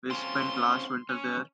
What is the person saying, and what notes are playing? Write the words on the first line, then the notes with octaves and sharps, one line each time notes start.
We spent last winter there.
C4 C#4 F4 C6
C#4